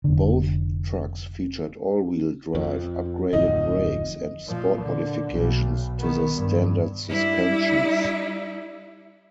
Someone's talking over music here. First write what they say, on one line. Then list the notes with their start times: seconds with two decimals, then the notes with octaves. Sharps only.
Both trucks featured all-wheel drive, upgraded brakes, and sport modifications to the standard suspensions.
0.04 F1 D3
2.55 F2
3.33 D1 F2 D#4 D#5
4.47 A#2 F3
4.82 D3
5.32 B1
5.99 D#3 B3
6.34 G2
7.07 G3 D4 E4